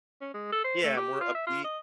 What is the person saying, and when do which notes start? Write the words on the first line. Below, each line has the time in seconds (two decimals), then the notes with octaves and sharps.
Yeah, more upbeat.
0.21 C#4
0.34 G#3
0.52 A4
0.64 C5
0.84 A3
0.97 G4
1.21 F4
1.35 E5
1.47 F4
1.64 D#5